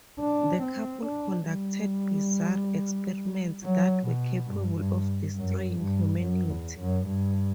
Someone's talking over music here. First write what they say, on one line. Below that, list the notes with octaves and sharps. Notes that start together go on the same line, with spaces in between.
The couple conducted bizarre experiments that were capable of destroying humanity.
D4
C4
D4
G3
F#3
B2
G2
G2
F#2
G2
F#2
E2
F#2
G2